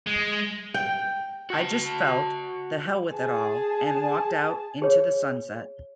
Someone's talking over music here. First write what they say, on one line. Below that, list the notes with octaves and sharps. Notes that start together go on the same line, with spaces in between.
I just felt 'the hell with it all' and walked out into the sunset.
G#3
G5
F#4 A5
G#4 A5
G#4 C#5